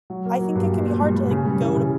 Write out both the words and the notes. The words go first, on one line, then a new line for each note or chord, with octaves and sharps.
I think it can be hard to, like, go to
F#3
A#3
F#3
G2
A#2
A#2
G3
G3
C#3
G3
E3
C#3